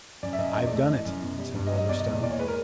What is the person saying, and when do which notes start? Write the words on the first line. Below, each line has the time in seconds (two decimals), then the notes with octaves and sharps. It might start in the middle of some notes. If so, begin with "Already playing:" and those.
"I've done it," said Wolverstone.
0.23 F#2 D5
0.33 E5
0.38 F#2 D#5
0.55 E2 D#5
0.67 D5
0.72 A3
0.77 D#5
0.89 E3
1.06 F#2
1.22 B2
1.39 G3
1.56 G2
1.66 D#5
1.72 F#3
1.77 D#5
1.89 B2 D5
2.00 D#5
2.06 E2
2.12 D#5
2.22 A#2 D5
2.30 C#5
2.39 G#3 B4
2.48 A#4